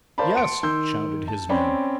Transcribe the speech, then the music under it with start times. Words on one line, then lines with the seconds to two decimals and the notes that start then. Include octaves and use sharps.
"Yes," shouted his men.
0.18 A#4 C5 D5 F5 A5 B5
0.36 A5 C6 C#7 D7
0.63 D#3 C6 E6 G6
1.28 A5
1.49 C4 C#4 D5 G5 B5 C6